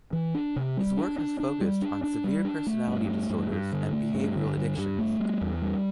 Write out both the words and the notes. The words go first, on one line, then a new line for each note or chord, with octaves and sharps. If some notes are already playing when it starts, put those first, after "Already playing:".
His work has focused on severe personality disorders and behavioral addictions.
E3
D4
C3
G3
D4
D4
D4
G3
D4
D4
G3
D4
A3
G2
A3
G2
G2
D3
A3
G2
D3
G2
G2
A3
G3
E2
G3